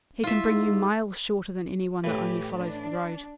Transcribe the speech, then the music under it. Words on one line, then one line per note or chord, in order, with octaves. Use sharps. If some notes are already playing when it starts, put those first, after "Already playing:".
He can bring you miles shorter than any one that only follows the road.
E4 F4 E5
G#2
A2 E3 G4
D4